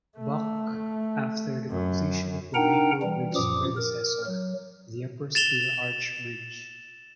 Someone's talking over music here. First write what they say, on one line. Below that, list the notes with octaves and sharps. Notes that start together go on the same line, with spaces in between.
Buck, after the completion of the Rainbow Bridge's predecessor, the Upper Steel Arch Bridge.
A3
F#2
D4 D#4 A#4 F#5 G5 A#5
E3 G3
F#2 A#2 F3 D6 D#6
A#4
F#3
A6 E7 F7 G7